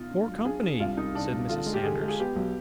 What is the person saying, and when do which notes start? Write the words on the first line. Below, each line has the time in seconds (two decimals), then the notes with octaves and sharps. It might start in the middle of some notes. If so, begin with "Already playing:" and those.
'More company!' said Mrs. Sanders.
Already playing: B2 D#4 F4
0.11 D4
0.28 B1
0.45 D4 G#4
0.63 D4
0.80 C2 F4
0.97 C2 D#4
1.15 C3 D4
1.33 C2
1.49 D3 F4
1.66 G#3
1.74 G4
1.84 D3 G#4
2.01 G#3
2.08 G#4
2.20 B3 G4
2.36 B1